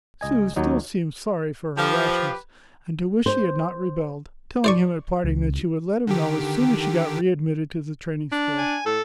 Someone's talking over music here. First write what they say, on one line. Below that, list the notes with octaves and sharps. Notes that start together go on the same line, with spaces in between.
Sue still seemed sorry for her rashness, and to wish she had not rebelled; telling him at parting that she would let him know as soon as she got re-admitted to the training-school.
C#2 D#5 G#5
D#2 F#3 D#4
F3 G4 B4
C5
C5 D5 C#6
C#2
D3 D#3 G4
D4
G#5
A2 A4